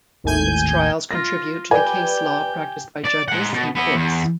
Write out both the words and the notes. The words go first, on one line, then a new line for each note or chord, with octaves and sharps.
Its trials contribute to the case law practiced by judges and courts.
G#1 D#2 A2 G#5 G6
F4 A#6
G4 B4 D5 G5 G#5
D5
G#3 F#5
B2
B3 E4
E2